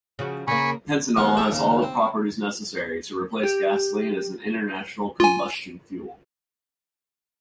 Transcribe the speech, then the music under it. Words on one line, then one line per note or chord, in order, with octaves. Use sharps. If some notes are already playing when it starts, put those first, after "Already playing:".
Pentanol has all the properties necessary to replace gasoline as an internal combustion fuel.
C#3 F3 F#4
C#3 A#3 G#5 B5 C#6
D#2 G#3 B3 F5 C#6 D#6
G#4 A4 E5 G5 G#5
D#2 C#3
C4
G4
F4 G#5